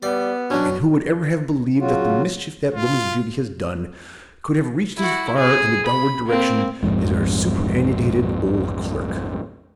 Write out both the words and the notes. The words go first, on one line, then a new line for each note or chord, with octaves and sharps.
And who would ever have believed that the mischief that woman's beauty has done could have reached as far in the downward direction as our superannuated old clerk?
G3 B3 D5
B2 F#3 C#4 D4
C#3 F#3 F4 F#4
F4
E4 F#4
G#4
B5
A#3 C4
A#1 F2 G#2